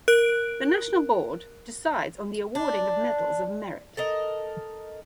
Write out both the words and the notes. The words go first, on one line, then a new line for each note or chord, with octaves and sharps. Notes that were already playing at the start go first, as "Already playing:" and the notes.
The national board decides on the awarding of medals of merit.
A#4 F#6 D7
D4
A4 A#4 D#5